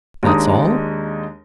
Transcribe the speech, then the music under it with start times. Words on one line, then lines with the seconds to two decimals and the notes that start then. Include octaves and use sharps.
"That's all?"
0.23 D#2 G#3 D4 D#4 A#5 D#6